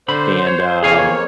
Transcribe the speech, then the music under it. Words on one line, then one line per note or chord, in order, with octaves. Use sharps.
and, um,
D3 C5 B5
C#5
F2 A#3 G#4 C#5 F5 G#5